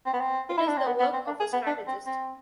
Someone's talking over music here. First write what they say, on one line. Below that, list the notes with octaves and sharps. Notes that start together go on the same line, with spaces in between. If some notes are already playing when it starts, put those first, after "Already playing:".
It is the work of a strategist.
C4
B3
C4
F4
E4
D4
C4
B3
B3
C4
D4
G#4
B3
D4
C4
C4